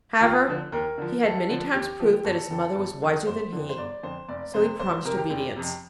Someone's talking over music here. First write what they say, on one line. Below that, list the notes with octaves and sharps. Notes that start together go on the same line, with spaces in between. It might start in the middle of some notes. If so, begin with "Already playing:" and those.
However, he had many times proved that his mother was wiser than he, so he promised obedience.
D#2 F4
D3 F3
D#2 A#4
D3 F3
D#2 A4
D3 F3
D#2 G4
D3 F3
G1 A4
F2 D3 A4
G1
F2 D3
G1 C5
F2 D3
C5
G1 D5
F2 D3 C5
F1 D5
F2 C3 C5
F1 C5
C5
F2 C3 A#4
G4
F1 G4
F2 C3